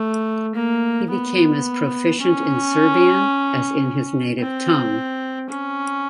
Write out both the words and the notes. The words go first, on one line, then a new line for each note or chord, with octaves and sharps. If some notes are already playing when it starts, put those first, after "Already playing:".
He became as proficient in Serbian as in his native tongue.
Already playing: A3
A#3
B3
C#4
C4
C#4